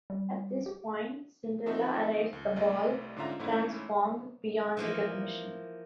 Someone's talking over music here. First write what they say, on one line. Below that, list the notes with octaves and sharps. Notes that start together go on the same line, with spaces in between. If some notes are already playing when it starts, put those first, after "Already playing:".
At this point, Cinderella arrives at the ball, transformed beyond recognition.
G3
G4
F3 C4 D#4 F#4 E5
C#2
C2 G3 A3 D5 D#5
G#2 D3 C#4 F4 E5 A#5
G#2 E3 A3 C#4 E4
E3 F3 A#3